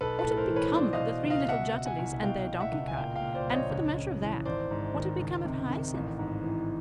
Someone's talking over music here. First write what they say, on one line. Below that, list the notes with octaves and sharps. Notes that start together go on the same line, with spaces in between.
What had become of the three little Jutterlys and their donkey-cart, and, for the matter of that, what had become of Hyacinth.
B1 A4 B4
A4 B4
A2
A#4 C5
E3
B4 C#5
B2 C5 D5
D#5 F5
B2
C#2
D#5 F5
B2 E5 F#5
B2
F#5 G#5
C2
B2 F5 G5
B2
E5 F#5
C#2
G#5
A#2 F5 G5
F5 G5
A#2
C5 D5
A#1
C#5 D#5
C#2
C#3
E3
G#1 C5 D5
G#2
D#3
C#2
C3
D#3
A1
G#2
E3